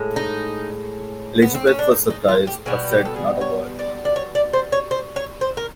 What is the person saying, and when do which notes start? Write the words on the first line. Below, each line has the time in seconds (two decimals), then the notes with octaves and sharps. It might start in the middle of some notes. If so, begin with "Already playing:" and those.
Elizabeth was surprised, but said not a word.
Already playing: A2 G#3
0.16 D#4
1.42 B3
1.55 C4
1.67 C#4
1.79 D4
1.91 D#4
2.10 D#4
2.28 F4
2.47 G4
2.66 B2 G3 B3 G#4
2.91 G4
3.05 A4
3.16 G#4
3.41 C#5
3.79 D5
4.05 D5
4.16 C#5
4.35 D5
4.53 C5
4.72 C#5
4.91 C5
5.16 C#5
5.41 C5
5.57 A#4